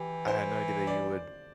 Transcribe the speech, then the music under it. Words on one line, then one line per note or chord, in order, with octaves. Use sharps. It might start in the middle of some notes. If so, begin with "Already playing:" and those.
I I had no idea that you would
Already playing: E3 G4
C5
D5